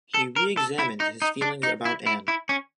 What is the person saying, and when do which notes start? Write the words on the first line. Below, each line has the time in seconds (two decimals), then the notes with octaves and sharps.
He re-examines his feelings about Anne.
0.14 A4
0.36 A#4
0.57 A4
0.79 E4
1.00 D#4
1.22 D#4
1.42 D4
1.63 D#4
1.85 E4
2.06 E4
2.28 E4
2.49 C#4